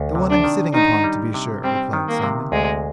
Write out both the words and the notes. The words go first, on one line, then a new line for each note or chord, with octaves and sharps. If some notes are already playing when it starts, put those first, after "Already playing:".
'The one I'm sitting upon, to be sure,' replied Simon.
Already playing: D2
C3
D4
D#3
D#3 D#4
G3
C3
G3 C4
D#3
A#3
C3
D2 G#3